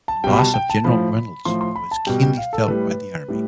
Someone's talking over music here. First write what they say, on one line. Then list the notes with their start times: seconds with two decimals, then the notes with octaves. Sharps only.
The loss of General Reynolds was keenly felt by the army.
0.08 A5
0.24 B2 G3 G5
0.33 B5
0.39 A5
0.54 G5
0.70 A5
0.84 A2 F3 B5
1.45 A2 F3 C6
1.61 C6
1.76 B5
1.91 A5
2.07 B2 G3 G5
2.22 G5
2.37 F5
2.53 A4
2.68 A2 G3 B4
3.28 A2 G3